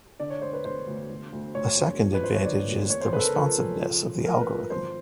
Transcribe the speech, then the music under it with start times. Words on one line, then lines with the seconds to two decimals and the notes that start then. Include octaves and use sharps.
A second advantage is the responsiveness of the algorithm.
0.20 D3 D5
0.30 C#5
0.42 E1 C5
0.53 B4
0.65 E1 C5
0.88 D2
1.10 D2
1.32 D2
1.55 D2 C#5
1.77 E1
2.00 F3
2.14 B4
2.22 F#2 C5
2.35 C#5
2.45 D3 D5
2.67 A#3
2.90 E2 C#5
3.01 C5
3.13 C#3 B4
3.19 A4
3.24 A#4
3.35 F3 A4
3.58 C#3
3.80 F3
4.03 F3
4.25 A3 A#4
4.41 B4
4.48 F3
4.56 A#4
4.70 G#1 C5